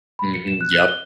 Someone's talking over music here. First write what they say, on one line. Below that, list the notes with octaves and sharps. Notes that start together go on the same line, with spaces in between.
Mhm. Yep.
B5
C#7
E7
F#6
F#6
G7